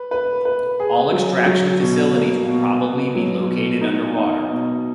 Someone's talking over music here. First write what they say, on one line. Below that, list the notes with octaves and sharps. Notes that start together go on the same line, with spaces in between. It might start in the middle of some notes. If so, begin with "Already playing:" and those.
All extraction facilities will probably be located under water.
Already playing: B4
B4
B4
G#4
F#3
F#3
B2
A#3
B2
B3
F#3
B2
D#4
D#4
B2